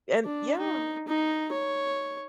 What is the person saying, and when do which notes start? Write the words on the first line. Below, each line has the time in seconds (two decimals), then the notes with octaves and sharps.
And yeah.
0.25 D4
0.59 D#4
1.08 D#4
1.53 C#5